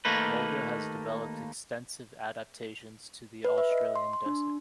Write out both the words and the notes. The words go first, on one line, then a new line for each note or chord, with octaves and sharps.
Mulga has developed extensive adaptations to the Australian desert.
D#2 A3 A#3 D#4 B4
B4
E5
D#5
C6
C6
D4